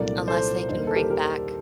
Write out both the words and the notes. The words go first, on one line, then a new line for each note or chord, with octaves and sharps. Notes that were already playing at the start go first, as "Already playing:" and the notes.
Unless they can bring back,
Already playing: C2 A#2 F#3 A3 D4 A#4 D5
A4 C5
D#2 D3 G3 A#3 D#4 C5
A#4
A4
G4 A#4
G4 A#4